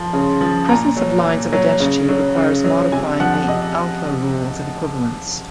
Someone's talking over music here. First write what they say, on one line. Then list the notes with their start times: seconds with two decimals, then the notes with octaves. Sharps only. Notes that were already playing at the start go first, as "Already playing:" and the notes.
The presence of lines of identity requires modifying the "alpha" rules of Equivalence.
Already playing: F3 C6
0.13 C#3
0.41 F3
0.69 A#2 A#5
0.97 F#3
1.24 A#2
1.53 F#3
1.80 C#3
2.09 F#3
2.36 C#3
2.64 F#3
2.92 C3 G#5
3.20 F3 F#5
3.34 F#5
3.48 C3 D#5